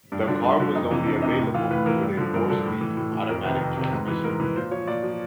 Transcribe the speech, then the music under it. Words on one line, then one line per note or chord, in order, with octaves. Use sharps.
The car was only available with a four speed automatic transmission.
G2 D4
D3 F3 D4
G2 D4
D3 F3
F2 D#4
C3 E3
F2 D4
C3 E3 D#4
A2
E3 F4
A2 B4
E3 A#4
G2
D3 F3
G2 A#4
D3 F3 A4
A2
E3
A2
E3
F2 A#4
C3 D#3 B4
F2
C3 D#3
G#2 B4
E3 B4
G#2 A#4
E3 B4
A#2 C5
F3 C#5
A#2 D5
F3